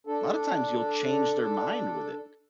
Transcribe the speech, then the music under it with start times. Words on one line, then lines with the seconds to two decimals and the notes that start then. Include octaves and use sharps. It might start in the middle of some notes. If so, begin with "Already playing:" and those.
lotta times you'll change their mind with it.
0.07 D4 A4